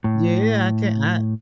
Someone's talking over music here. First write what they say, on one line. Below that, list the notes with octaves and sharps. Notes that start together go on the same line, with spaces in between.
Yeah, I can't I
A2